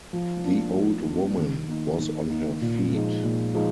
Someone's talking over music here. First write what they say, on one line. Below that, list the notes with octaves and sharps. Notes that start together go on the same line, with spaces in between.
The old woman was on her feet.
F3
A#3 D4
F3
A#3 D4
D#3
A#3 D#4
D#3
A#3 D#4
A#2
F3 G#3 D#4
A#2
F3 G#3 D#4